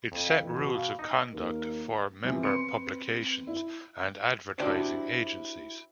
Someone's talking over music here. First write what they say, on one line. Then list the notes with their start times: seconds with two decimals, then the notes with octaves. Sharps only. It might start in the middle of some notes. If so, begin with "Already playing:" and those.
It set rules of conduct for member publications and advertising agencies.
0.12 F2
0.26 F5 B6 C#7
0.40 E3
0.57 B2
0.75 F5
0.99 D#4 D#5 A#6
1.34 D#2 A#4
2.25 C3 E3 F3
2.43 C4 B4 C6 C#7
3.47 E4
4.58 D4 E4 F#4 G4 C5 D5